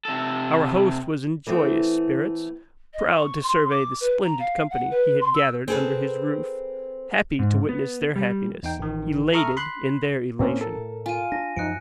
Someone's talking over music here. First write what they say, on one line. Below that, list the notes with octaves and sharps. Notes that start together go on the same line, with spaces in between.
Our host was in joyous spirits; proud to survey the splendid company he had gathered under his roof; happy to witness their happiness; elated in their elation.
C3 A4
E3 A3 B3 C4
D#5
C#6
C6
D6
B4
A#5
F5
F#5
B4
C6
E6
C4 G#4 A4 B4
G#2
B3
G3
E2 D#4 G5
A1 D#3
A4 E5 A#5 C#6 D#6 F6
B5 C6 F#6
A2 A3 A#3 C4 C#4
A4 A#4
F4 G#5 D#7
D4 A#6
F#2 F3 D#4 F#6 C#7 D7